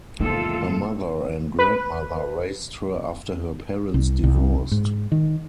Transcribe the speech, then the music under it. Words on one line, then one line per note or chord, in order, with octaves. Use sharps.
Her mother and grandmother raised her after her parents divorced.
E2 G#2 C3 D#3 A#3 F4 A4
B4
C2
C2
G#2
D#3